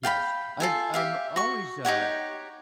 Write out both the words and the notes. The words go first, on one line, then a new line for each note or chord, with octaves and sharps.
Yes. I'm I'm always, uh,
F5 G5 A5 B5
F4 A4 G#5
G4 E5 F5
F#4 C#6
D#4 G4 C#5 F#5